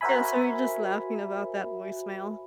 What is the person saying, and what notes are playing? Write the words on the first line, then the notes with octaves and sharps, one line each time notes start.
Yeah, so we're just laughing about that voicemail.
F#4 A#4 C5 E5 G#5 B5